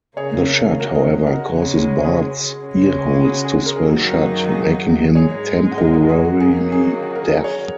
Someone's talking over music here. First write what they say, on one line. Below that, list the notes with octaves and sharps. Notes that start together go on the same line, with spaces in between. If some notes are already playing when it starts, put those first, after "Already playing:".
The shot, however, causes Bart's earholes to swell shut, making him temporarily deaf.
C#3 A#3 C#4 G#4 C#5
F#4 A#4
A#4 D#5
F#4 A#4
C#3 G#3 C#4
G#4
C#3 G#3 C#4
G#4
F#4
G#4
A#4
G#4
F#2 D#3 F#3 A#3 D#4 F#4
G#4
F#4
G#2 G#3 D#4 G#4 C#5
F#5
A#4 D#5
F#4 A#4
G#4
F#4
D#3 F#3 A#3 C#4 G#4
G#4
F#4
A#4
G#4
G#4 C#5